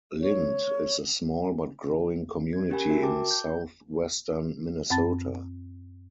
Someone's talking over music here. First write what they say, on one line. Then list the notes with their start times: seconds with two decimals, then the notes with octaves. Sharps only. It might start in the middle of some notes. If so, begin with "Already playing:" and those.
Lynd is a small but growing community in southwestern Minnesota.
0.21 C#5
2.53 G#6
2.70 C#4 G4 A#4 F#5 G#5 B5
2.89 F#4 A#4 E5
3.02 G5 A5 D6
3.31 G6
4.90 F#2 C4 A5 A6